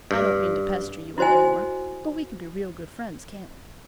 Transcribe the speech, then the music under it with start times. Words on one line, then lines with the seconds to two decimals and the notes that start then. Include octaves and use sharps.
I don't mean to pester you any more, but we can be real good friends, can't we?
0.11 G2
1.18 E4 F#4 C5 D#5 G#5